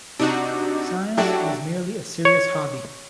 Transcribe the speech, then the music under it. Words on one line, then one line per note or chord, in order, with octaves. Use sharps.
Science was merely a serious hobby.
C3 D4 D#4 F#4
F#3 D4 E4 F#4 G4 A4
C#5